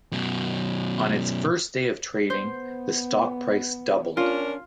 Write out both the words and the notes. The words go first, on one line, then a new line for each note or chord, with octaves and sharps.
On its first day of trading, the stock price doubled.
F#2 B2
B3 C5
C#4 D4 F4 A#4